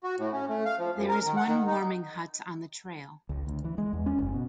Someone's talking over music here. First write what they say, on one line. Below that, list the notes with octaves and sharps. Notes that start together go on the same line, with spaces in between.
There is one warming hut on the trail.
F#4
A2
C#4
A3
F5
F3
F#2
A#4
D#3
F#5
D#3
D#4
C#2
D2
E3
G#3
E2
C#4
F#1
B2